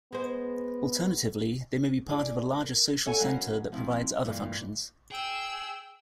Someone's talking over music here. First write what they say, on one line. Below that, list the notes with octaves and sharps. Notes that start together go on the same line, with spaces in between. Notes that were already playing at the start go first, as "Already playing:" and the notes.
Alternatively, they may be part of a larger social center that provides other functions.
G#3 B3 C5
E4 G#4 D5
A#4
A4 C#5 E5 F#5 G#5
F#3 C#4 A#4 B4 F5 F#5
F3 C4 E4
G2 A#2 E3
G#4 G5 E6